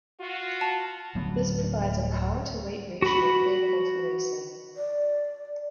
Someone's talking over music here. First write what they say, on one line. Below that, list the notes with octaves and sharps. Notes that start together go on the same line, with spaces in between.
This provides a power-to-weight ratio favorable to racing.
F4 F#4
A5
D1 D2 F#3 B3
F#4 B5
D5